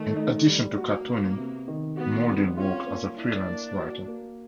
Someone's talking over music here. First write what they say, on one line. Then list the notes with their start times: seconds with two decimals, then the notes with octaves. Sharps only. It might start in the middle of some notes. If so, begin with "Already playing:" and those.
In addition to cartooning, Mauldin worked as a freelance writer.
Already playing: D#3 A3
0.17 D#4
0.46 G3
0.77 A#3 F#4
1.08 B3
1.37 C3
1.68 D#3
1.97 B3 F#4
2.27 C4
2.57 C#4 F4
2.88 A#3
3.17 D4 E4
3.48 A#3
3.78 F#4
4.08 A#3